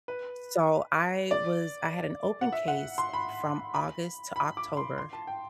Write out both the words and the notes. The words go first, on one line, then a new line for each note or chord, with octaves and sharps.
So, I was I had an open case from August to October,
B4
D5
F#5
E5
F#5
C6
B5
B5
B5
D6
C6
C6
A5
G5